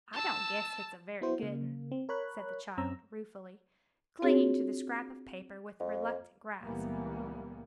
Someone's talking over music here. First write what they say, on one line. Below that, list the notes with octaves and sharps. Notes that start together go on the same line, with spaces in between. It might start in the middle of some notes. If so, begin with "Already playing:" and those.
"I don't guess hit's a very good'n," said the child, ruefully, clinging to the scrap of paper with reluctant grasp.
A5 E6
B3 E4 F#4 C5
C#3 A#3
C4
A#4 C#5 B5 F#6
F#2 C4 C#4 A#5 E6
C4 D4 F4 F#4 G#4 C#5
F2
C#2 A#2 E3 G3 A#3 B3